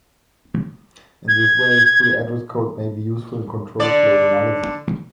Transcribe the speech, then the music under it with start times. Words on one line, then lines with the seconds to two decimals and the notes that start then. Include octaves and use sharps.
In this way, three-address code may be useful in control-flow analysis.
1.28 G#6
3.80 D3 D5